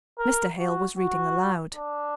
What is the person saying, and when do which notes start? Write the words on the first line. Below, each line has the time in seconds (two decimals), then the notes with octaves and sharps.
Mr. Hale was reading aloud.
0.19 A#4
0.58 F#4
0.97 F#4
1.75 D4